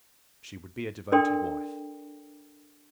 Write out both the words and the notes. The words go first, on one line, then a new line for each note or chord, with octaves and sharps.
She would be a devoted wife.
D4 A4 A#4 D5 G5 C6